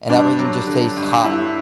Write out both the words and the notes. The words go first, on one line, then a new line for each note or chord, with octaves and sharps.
and everything just tastes hot.
G2 D4
F#3
D3
G2
G2 E4